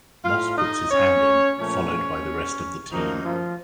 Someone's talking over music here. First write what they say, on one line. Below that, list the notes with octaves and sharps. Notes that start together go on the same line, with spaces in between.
Moss puts his hand in, followed by the rest of the team.
A2 A3 F4 F5
D#4 D#5
C#4 C#5
A#2 F3 A3 C#4 C#5
F#2 D#3 F3 A#3 D#4
F3 F4